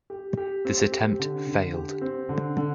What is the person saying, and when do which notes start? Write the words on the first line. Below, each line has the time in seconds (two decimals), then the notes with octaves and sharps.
This attempt failed.
0.10 G4
0.37 G4
0.65 C4
0.92 G4
1.19 D3
1.47 D3
1.74 G4
2.01 C4
2.29 D3
2.57 D3